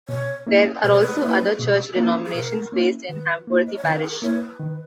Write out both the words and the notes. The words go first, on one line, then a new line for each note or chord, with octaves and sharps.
There are also other church denominations based in Hamworthy parish.
B2 C#5
A#3 C#4 E4
B2 B4
C#5
B4
A#3 C#4 E4
B2
A#3 C#4 E4
G#4
B2 A#4
A#3 C#4 E4
D#3 B4
A#3 E4
D#5
C#5
D#3 B4
G#4
A#4
A#3 E4 C#5
B4
D#3